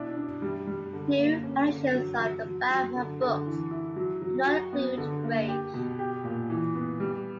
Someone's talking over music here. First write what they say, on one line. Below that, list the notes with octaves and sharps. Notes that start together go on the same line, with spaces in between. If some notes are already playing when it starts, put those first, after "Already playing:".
New editions of "The Bachman Books" do not include "Rage".
Already playing: B2 D4 E4
D4
G3
G3
D3
A#3
C#4
D3
F#3
F#3
F#3
F#3
D3
D3
E3
E4
F#3
F#3
F#4
B3
D3
A#3
G4
B2
G4
A#2
E3
B3
G3